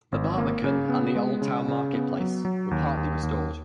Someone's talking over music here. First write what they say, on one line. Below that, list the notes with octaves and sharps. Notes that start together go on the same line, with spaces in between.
The Barbican and the Old Town Market Place were partly restored.
G#1
A#3
C#3
B3
G#3
C#3
C#3
B3
F#3
F#3
D#2
D#2
D#2